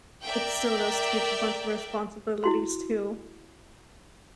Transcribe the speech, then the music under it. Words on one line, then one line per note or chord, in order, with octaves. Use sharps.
it's still does teach a bunch of responsibilities too.
A#4 D5 E5 G5
E4 F#4 C6